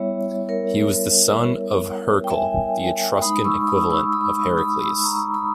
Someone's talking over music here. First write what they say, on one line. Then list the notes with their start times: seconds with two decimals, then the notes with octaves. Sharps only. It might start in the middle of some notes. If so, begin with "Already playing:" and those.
He was the son of Hercle, the Etruscan equivalent of Heracles.
Already playing: G3 B3 E4 C#5 E5
0.49 A#4 C#5
2.24 G5
2.31 E5 G#5
3.22 G#3 D#4 B5 D#6
3.44 C#6 E6
3.67 B5 D#6
3.90 C#6 E6
4.13 B5 D#6
4.58 B5 D#6
4.79 E6
4.91 D#6
5.04 A#5 C#6
5.34 B5 D#6